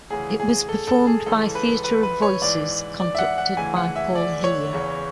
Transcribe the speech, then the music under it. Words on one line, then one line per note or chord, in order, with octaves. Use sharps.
It was performed by Theatre of Voices, conducted by Paul Hillier.
D2 C#3 E3 G#4
G#4
A4
A4
G#4
C#2 C#3 E3 A4
B4
B4
B4
C#5
G#2 E3 D5
D5
E5
F#5
F#5
D2 C#3 E3 G#5
F#5
E5
D5
C#5
E2 C#3 E3